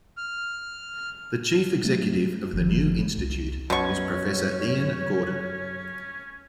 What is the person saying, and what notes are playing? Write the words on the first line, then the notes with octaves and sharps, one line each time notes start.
The chief executive of the new institute is Professor Iain Gordon.
F6
F#3 A3 D4
F#1 D2 D#3 F3
C2
F#2 B2 C#4 C#5 C#6